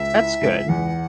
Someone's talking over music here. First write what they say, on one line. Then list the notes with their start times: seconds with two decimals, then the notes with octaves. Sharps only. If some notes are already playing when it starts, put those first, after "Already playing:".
That's good.
Already playing: C#2 E5
0.13 E4
0.41 C#2
0.69 E2 F#5